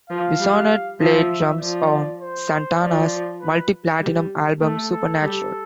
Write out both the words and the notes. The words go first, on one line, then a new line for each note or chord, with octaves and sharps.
Bissonette played drums on Santana's multi-platinum album "Supernatural".
F3 F5
G3
F3 E5
F3 D5
C5
F3 D5
B4
G3
A3 A4
A4
G3 A4